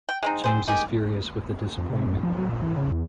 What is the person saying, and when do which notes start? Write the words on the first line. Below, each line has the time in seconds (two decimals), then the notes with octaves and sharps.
James is furious with the disappointment.
0.09 G5
0.23 G#3 C4 D#4
0.44 C4 G#4 C5
0.68 D#3 G4 G#4
1.78 F2
1.90 C3
2.06 F#2
2.23 F3
2.38 F#3
2.49 A#2
2.62 E3
2.77 C#3
2.92 E2